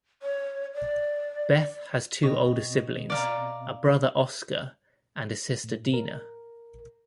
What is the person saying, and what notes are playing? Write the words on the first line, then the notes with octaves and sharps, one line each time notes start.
Beth has two older siblings, a brother Oscar and a sister Dinah.
C#5
D5
B2 C4 C#5 D#5
D5 F5 A#5
A2
A#4